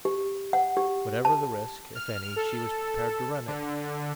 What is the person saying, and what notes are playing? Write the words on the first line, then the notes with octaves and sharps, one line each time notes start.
Whatever the risk, if any, she was prepared to run it.
G4
F#5
G4
A5
F6
A4
D3